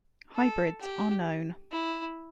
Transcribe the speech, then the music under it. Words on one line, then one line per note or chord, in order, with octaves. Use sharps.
Hybrids are known.
A4
G4
E4